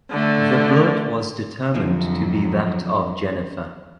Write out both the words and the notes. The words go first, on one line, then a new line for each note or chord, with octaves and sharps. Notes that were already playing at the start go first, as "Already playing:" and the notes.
The blood was determined to be that of Jennifer.
D3 A3
F2 B2 D3 F3 F#3